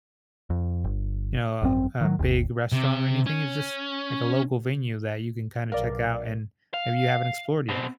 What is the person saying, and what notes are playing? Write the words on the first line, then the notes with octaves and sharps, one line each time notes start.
you know, uh, a big restaurant or anything. It's just, like, a local venue that you can kinda check out and maybe you haven't explored yet.
F2
G1
G#1 F#2 A2 C4
D#3 F#3
G1 D#2
C3
C#4
B1 A#4 D5 F5
F5
B2 C4